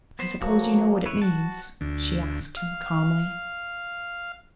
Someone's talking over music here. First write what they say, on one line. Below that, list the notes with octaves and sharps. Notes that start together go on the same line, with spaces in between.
"I suppose you know what it means?" she asked him, calmly.
B3 C5
F3 F#3 A#3 F#4
E4 B4 C#5
F#4 F#5 A5
D2
F5